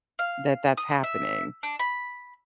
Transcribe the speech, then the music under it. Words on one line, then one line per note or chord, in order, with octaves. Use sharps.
that that's happening,
F5
D#6
E5
D4
B5